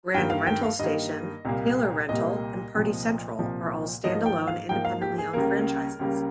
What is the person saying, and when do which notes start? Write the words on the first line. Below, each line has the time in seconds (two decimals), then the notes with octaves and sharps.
Grand Rental Station, Taylor Rental, and Party Central are all standalone, independently owned franchises.
0.14 G2 D#3 A#3 G5
0.30 F5
0.47 G5
0.63 F5
0.79 G2 D#3 A#3 D#5
1.45 C2 A#2 G3 A#3
2.09 C2 A#2 G3 A#3 D#5
2.75 C2 A#2 F3
3.39 C2 A#2 F3
4.04 G#2 F3 A#3 D#5
4.26 G5
4.47 F5
4.69 G#2 F3 A#3 G5
4.85 F5
5.02 G4
5.18 G#4
5.33 C#2 C#3 G3 A#3 A#4
5.99 C#2 C#3 G3 A#3